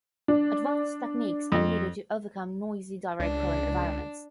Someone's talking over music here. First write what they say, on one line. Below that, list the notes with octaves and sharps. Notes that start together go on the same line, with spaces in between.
Advanced techniques are needed to overcome noisy direct current environments.
D4
F2
C#2 D4